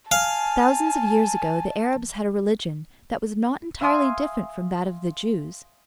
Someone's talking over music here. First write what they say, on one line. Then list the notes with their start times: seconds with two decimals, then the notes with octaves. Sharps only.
Thousands of years ago the Arabs had a religion that was not entirely different from that of the Jews.
0.12 F5 G#5 A5
3.81 E5 F5 G#5 C6 D#6